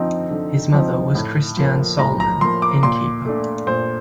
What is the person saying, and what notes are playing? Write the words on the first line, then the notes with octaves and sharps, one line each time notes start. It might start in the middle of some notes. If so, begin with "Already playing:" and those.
His mother was Christiane Sollmann, inn keeper.
Already playing: D3 F3 C4 D#4
D3
F3 C4 D#4
A2
F3 A#3
A2 A#5
A#5
F3 A#3 C6
D6
A#2 C6
A3 D4
A#2 C5